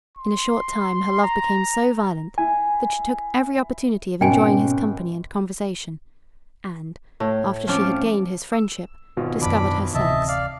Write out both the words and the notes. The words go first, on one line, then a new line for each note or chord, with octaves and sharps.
In a short time her love became so violent, that she took every opportunity of enjoying his company and conversation; and, after she had gained his friendship, discovered her sex.
C6
A#5
E4 G#5
G#1 B2 C#4 G5 G#5
A2
F3 C4 C#4 D6
E6
G#1 B2 F4
F#2 D#3 D4 B5 D6
D1 C3 E3 D#5 E5 A5
D5 F5